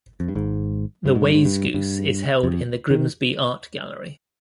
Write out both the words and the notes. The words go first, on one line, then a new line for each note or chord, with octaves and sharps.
The wayzgoose is held in the Grimsby Art Gallery.
F2
G2
G#1 G#2
G2
G#2
G2
G#2
G2
G2
F2
D#3